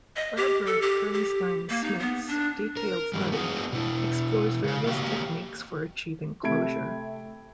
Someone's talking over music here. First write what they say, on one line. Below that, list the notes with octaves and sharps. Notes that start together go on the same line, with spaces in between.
Barbara Herrnstein Smith's detailed study--explores various techniques for achieving closure.
D#5
G4
A4
G4
G4
A#3
D#4
B3
D4
A#4
G2 D#3 G3
B3 F#4 G#4
B2 E4
C#3 F5
A#3 F#4 G4 D#5 F5
C3 A3 B5 G#6 D7